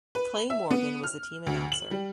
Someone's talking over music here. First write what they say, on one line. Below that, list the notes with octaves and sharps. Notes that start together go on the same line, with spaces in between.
Clay Morgan was the team announcer.
B4
E5
B3
F6
D2
F#7
G3